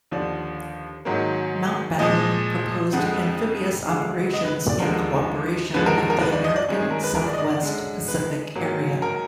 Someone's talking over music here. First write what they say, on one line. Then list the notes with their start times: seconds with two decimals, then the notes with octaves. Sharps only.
Mountbatten proposed amphibious operations in cooperation with the American South West Pacific Area.
0.11 D#2 D3 F3 D5
1.05 G#2 D#3 F#3 A#3
1.99 A#2 F3 G#3 D#5
2.93 F2 D3 F3 G#3 F#5
3.86 D2 D3 G#3 F5
4.33 D#5
4.45 B4
4.69 D5
4.80 D#2 D3 F3 G#3 A#4
5.74 D#2 D3 F3 G#3 B4
5.86 A#4
5.98 A#4
6.10 A#4
6.21 B4
6.32 D5
6.44 D#5
6.56 D5
6.68 F#2 D#3 G#3
6.80 G#4
6.91 A#4
7.03 B4
7.15 A#4
7.26 D5
7.33 D#5
7.38 D5
7.50 D5
7.62 F#2 D3 G#3
8.08 B4
8.55 G#2 F#3 A#3
9.02 A#4